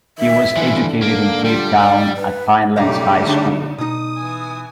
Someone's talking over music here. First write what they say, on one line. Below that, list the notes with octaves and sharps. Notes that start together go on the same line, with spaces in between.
He was educated in Cape Town at Pinelands High School.
D#3 E5
D3 E3 F3
A#3 F5
G3 F4
D5
B4
B1 C#3 G3 A3 D#4 G4 F5 A#5
D3 D4
B2 D#4 D#6
E3 G#5